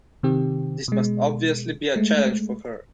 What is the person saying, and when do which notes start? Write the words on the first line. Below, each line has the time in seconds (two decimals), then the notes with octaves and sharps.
This must obviously be a challenge for her.
0.23 C3 D#3 C4 G4
0.88 B2 G#3
1.96 G#3 A3